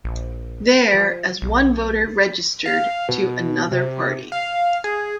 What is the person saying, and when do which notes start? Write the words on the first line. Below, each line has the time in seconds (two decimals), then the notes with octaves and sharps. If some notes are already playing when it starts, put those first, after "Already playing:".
There as one voter registered to another party.
0.04 A#1
0.94 F3
1.42 B1
2.66 F5
3.09 B2
3.71 C3
4.32 F5
4.84 G#4